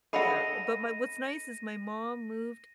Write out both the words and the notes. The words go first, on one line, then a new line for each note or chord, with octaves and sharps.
Yeah, but my what's nice is my mom moved
G#4 A4 D#5 F#5 B5 C6 A#6 D#7